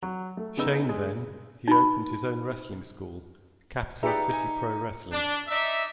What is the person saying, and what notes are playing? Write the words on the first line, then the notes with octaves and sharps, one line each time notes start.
Shane then, he opened his own wrestling school, Capital City Pro Wrestling.
F#3
A3
C#3 B3 D#4 E6
G#3
D#4 B5
D#4 G4 G#4 B4 D5 E5 A#5 C#7
D#4 G#5
D4
D#4 D5 E5